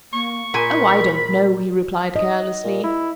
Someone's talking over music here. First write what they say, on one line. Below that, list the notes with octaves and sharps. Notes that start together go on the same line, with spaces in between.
"Oh, I don't know!" he replied carelessly.
A#3 C#6
A#2 A#4 G#5 B5
D#5
A#2
E4